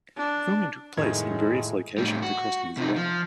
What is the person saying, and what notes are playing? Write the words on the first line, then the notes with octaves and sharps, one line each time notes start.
Filming took place in various locations across New Zealand.
D4
F2 A2 D#3 G#3 G#6
A2 G3
F#4
C3 D#4
F3